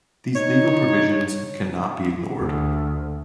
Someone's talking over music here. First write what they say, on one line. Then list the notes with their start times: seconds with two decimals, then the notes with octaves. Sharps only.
These legal provisions can not be ignored.
0.35 D#4 C#5
2.40 D2